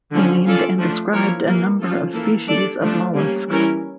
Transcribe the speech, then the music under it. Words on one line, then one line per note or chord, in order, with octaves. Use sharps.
He named and described a number of species of molluscs.
D3 F3 C#4
C#4 F4 A4 D5
F3 A3 D4
F3 A#3 E4 A#4 C#5
E3 G3 A#3
F3 C#4 F4 A4
E3 A#3 E4 A4
G3 D4 A4 D5
F3 A3 D4
G3 A#3 C#4 G4
E3 G3 C#4 E4 A#4